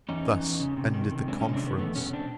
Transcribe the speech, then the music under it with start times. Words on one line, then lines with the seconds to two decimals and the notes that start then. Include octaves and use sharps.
Thus ended the conference.
0.09 E2 C#4 D#4
0.26 E3
0.42 E2
0.60 C#3
0.77 C3
0.94 D#3
1.11 C3
1.28 G#3 C4 D4
1.40 C#4 D#4
1.45 C3
1.53 C4 D4
1.63 D#3 B3 C#4
1.78 E2 A3 B3
1.95 B2 B3 C#4
2.13 C4 D4